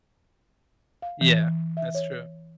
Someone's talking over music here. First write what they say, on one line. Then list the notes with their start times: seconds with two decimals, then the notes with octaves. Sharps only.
Yeah, that's true.
1.02 F5
1.21 E3
1.77 E5
1.95 C#5